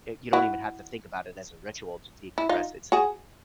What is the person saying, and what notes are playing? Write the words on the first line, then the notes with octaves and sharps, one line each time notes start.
y you don't even have to think about it as a ritual to decompress. It's
E4 F#4
E4
D#4 F4
F#4 G#4